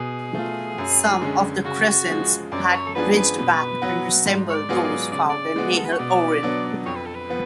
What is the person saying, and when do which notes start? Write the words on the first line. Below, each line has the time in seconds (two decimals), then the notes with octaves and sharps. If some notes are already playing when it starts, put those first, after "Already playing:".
Some of the crescents had ridged backs and resembled those found at Nahal Oren.
Already playing: B2 G#4
0.35 A3 F4
0.78 F#2
1.21 D3 G#3 C#4
1.65 C#3 F#4
2.08 F3 G#3
2.52 F#2 D5
2.70 B4
2.73 C#5
2.86 A4
2.95 F3 B3 D4 G#4 B4
3.17 B4
3.38 B2 B4
3.82 F#3 B3 F#4
4.26 G#2
4.50 C#5
4.55 D5
4.69 F#3 B3 F4 G#4
4.84 D5
5.12 C#3 D5
5.29 D5
5.56 G#3 B3 F#4
5.77 A4
5.84 B4
5.92 C#5
5.99 B2 D5
6.43 F#3 B3 D4
6.86 F2 C#5
6.95 B4
7.06 A4
7.15 B4
7.30 F3 B3